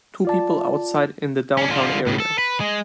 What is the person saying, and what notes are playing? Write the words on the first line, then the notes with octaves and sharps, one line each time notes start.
Two people outside in the downtown area.
F4 D5 A5
C#4 D4
D3 F4
A2 C#3
A4
B4
G#3